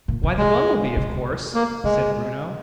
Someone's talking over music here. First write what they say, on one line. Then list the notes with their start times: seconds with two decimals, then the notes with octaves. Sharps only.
"Why the bumble-bee, of course!" said Bruno.
0.08 A#2
0.23 C3
0.38 G#3
0.97 C3
1.55 A#3
1.84 C3 G#3